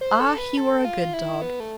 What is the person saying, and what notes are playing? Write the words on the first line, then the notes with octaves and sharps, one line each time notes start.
Ah; he were a good dog.
C5
A4
B4
A4
F4
E4
B3
A3